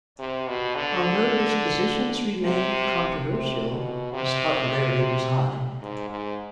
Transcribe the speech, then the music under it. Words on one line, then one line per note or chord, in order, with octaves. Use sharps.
Although his positions remained controversial, his popularity was high.
C3
B2
D3
C3
C3
B2
C3
G#2
G#2